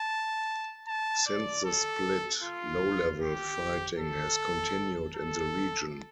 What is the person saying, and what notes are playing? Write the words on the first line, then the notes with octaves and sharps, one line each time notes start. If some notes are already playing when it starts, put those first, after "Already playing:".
Since the split, low-level fighting has continued in the region.
Already playing: A5
A5
D5
A4
F4
G4
A4
A4